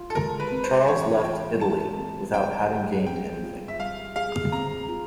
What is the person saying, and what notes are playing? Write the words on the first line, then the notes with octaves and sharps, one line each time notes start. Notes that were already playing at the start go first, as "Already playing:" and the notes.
Charles left Italy, without having gained anything.
Already playing: F4
A4
G#3 A#4
B4
C4
C5
E3 C#5
F4 G5
G#3 A5
C4
G3 G5
G#4
C4 G5
F4
E5
G3 F5
G#4 F5
C4 A#5
F4